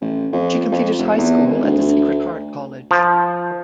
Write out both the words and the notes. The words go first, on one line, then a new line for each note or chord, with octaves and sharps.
She completed high school at the Sacred Heart College.
A1
F2
F2
F1
E2
G#1
D2
D2
F3